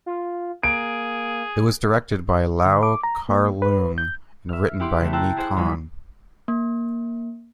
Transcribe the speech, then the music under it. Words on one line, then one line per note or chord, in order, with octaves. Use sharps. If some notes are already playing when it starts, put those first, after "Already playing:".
It was directed by Lau Kar-Leung and written by Ni Kuang.
F4
A#3 G#4 D7
D3
D6
A#5
A#3
B4
G6
E5 F6
E4 G4 F#5 B5 C6 D6
C#3 A3
G5 A5 A#5 C6 E6 F#6
E4 G#4 C5 F#5
G1 F#3 G#3 G#4 B5
A#3